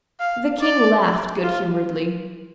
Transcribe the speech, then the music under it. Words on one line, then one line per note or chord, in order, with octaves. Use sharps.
The King laughed good-humouredly.
F5
D5
F4